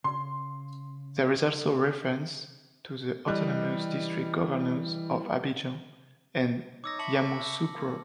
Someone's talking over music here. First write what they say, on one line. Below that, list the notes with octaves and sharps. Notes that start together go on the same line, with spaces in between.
There is also reference to the autonomous district governors of Abidjan and Yamoussoukro.
C#3 C6
E3 G3 D#5 F#6
D#4 C#5 D6 E6 A#6
E5 A5 B5 C#6 C#7 F#7
A#3